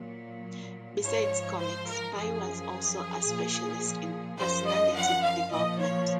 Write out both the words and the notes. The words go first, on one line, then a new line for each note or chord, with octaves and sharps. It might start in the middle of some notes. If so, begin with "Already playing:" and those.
Besides comics, Pai was also a specialist in personality development.
Already playing: A#2 F#3
G#2 F3 C#5
C5
A#4
F#2 F3 G#4
A#2 F3
F#2 F3 C5
D#5
F#5
F5
A#2 F3 D#5
C#5